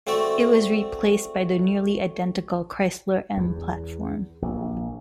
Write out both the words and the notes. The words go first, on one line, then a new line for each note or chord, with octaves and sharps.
It was replaced by the nearly identical Chrysler M platform.
A3 C4 F#4 D5 E5
E2
A#1